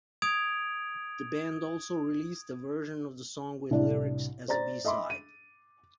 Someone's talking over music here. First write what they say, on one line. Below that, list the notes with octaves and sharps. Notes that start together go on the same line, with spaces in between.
The band also released a version of the song with lyrics as a B-Side.
D#6 G#6 D7 F7
C2 A2 D4 D5
C5 D5 A#5 A6
D#5 E5 B5 C6 D6
D#7